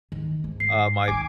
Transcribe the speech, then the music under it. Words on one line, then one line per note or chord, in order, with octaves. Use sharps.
Uh, my
D#3
G#2
C7
D#3 D#4 G#5 D6